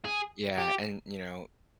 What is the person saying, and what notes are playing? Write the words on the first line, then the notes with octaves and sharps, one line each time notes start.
Yeah, and, you know,
G#4
G4